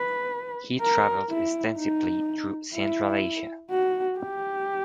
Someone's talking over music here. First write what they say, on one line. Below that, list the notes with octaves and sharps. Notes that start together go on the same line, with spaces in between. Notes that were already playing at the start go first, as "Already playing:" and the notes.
He traveled extensively through Central Asia.
Already playing: B4
A#4
E4
D#4
E4
F#4
G4